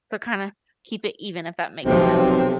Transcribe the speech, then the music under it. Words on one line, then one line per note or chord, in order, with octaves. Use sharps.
So, kinda keep it even if that makes sense.
B1 C3 F3 C4